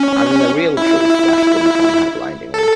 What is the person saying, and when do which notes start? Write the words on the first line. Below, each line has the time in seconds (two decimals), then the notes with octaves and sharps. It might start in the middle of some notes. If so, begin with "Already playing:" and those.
And then the real truth flashed in upon her blindingly.
Already playing: C#4
0.77 E4
2.54 A4